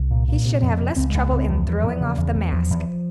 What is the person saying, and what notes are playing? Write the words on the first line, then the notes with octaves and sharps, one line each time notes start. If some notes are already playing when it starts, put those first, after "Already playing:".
He should have less trouble in throwing off the mask.
Already playing: C2
A#2
A#2
C3
F2
C3
C#2 C4
G#3
C#2
C#2 C4
E2 F3
E2
E2
C#3
E2
E2
E2 F3
E2